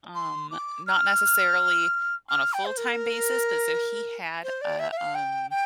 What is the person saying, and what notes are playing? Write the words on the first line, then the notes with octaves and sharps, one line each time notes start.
Um, not necessarily on a full-time basis, but so he had, uh, um
C6
D6
F6
F6
G5
C5
A#4
C5
D5
E5
E5
F5
G5
G5